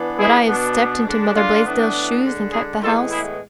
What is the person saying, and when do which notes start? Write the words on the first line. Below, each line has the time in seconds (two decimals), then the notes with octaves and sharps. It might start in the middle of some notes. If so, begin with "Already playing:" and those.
Would I have stepped into Mother Blaisdell's shoes and kept the house?
Already playing: E3 B3 D4
0.17 E4 G#4
0.47 B2 B3 D4
1.06 D3 G#3 D4
1.35 D4 F4
1.64 A2 E3 B3 D4
2.23 D3 G#3 D4
2.52 E4 G#4
2.81 A2 E3 G#3 B3 F4 A4
3.10 E4 G#4